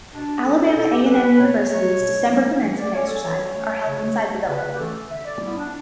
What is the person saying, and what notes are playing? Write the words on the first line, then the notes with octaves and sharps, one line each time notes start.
Alabama A and M University's December Commencement Exercises are held inside the building.
B2 D4
G3 C#4 A4
B2 A4
G4
G3 C#4 B4
B4
B2 C#5
F#3 A3
B2
F#3 A3
E3
D5
A3 C#4 C#5
A4
E3 C#5
A3 C#4
C#3
E3 A3 C#4
C#3 B4
G4
E3 A3 C#4 A4
D3 E5
D5
G3 B3 E4
D4